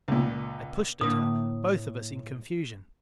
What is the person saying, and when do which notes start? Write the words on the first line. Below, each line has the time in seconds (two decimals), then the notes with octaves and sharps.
I pushed at her, both of us in confusion.
0.08 C#2 A#2
1.01 A2 D3 A#3 D#6